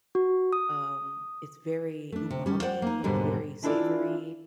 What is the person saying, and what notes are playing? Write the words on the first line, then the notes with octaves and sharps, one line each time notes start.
um, it's very umami, it's very savory
F#4
D#6
A3 D4
C3
G3 C#4
C5 D5 F#5 G5
A#3 D#4
D#2 G#2 B2 D3 G3 G#3
E3 D4 E4 F4 A4 D5